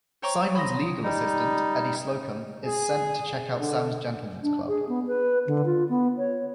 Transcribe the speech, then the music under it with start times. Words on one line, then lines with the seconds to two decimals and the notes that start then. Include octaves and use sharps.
Simon's legal assistant, Eddie Slocum, is sent to checkout Sam's gentlemen's club.
0.22 C5 C#5 G5 A#5 C#6 D6
0.55 B5 C6 D#6 A#6
1.03 G3 D#4
2.63 G#4
3.60 D3
4.43 D4
4.68 G#4
4.89 B3
5.07 B4
5.47 D3
5.65 F4
5.89 B3
6.18 C#5